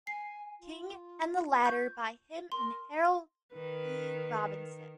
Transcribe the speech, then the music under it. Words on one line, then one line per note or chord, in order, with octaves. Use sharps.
King and the latter by him and Harold E. Robinson.
G#5 C7
F4
C#6 G6
A#4 C6
D#3 B4